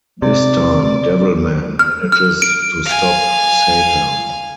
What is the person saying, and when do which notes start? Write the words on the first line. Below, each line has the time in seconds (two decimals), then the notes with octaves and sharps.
This time Devilman manages to stop Satan.
0.22 C3 D5
1.79 F6
2.12 F6
2.42 D7
2.85 F5 G#5